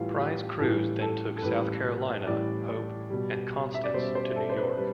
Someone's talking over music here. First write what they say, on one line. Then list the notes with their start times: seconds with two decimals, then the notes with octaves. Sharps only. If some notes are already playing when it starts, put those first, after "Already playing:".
Prize crews then took "South Carolina", "Hope" and "Constance" to New York.
Already playing: A2 E3 G3 F4
0.17 G4
0.59 A2 E3 G3 A4
1.01 A4
1.36 A4
1.42 A2 E3 G3 B4
2.26 A2 E3 G3 D5
3.10 B2 G3
3.74 E5
3.84 D5
3.94 B2 G3 C5
4.15 C5
4.36 A4
4.49 C5
4.57 B4
4.77 G3 B4